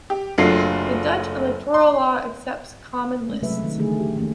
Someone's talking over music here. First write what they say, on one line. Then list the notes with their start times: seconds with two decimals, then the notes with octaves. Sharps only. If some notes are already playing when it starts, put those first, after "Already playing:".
The Dutch electoral law accepts common lists.
0.10 G4
0.38 F#1 F#3 A3 D4 F4 C7
1.74 C6
3.29 G#3 A3 C#4
3.42 C3 F#3 A3 B4 E5
3.63 D#3
3.79 D3 E3 A3 G#4
4.00 G4
4.16 D#3 E3 A3 A#3 C#4